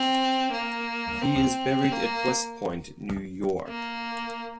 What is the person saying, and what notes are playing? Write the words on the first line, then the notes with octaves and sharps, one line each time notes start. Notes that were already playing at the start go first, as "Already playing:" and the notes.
He is buried at West Point, New York.
Already playing: C4
A#3
C4
A#3
A#3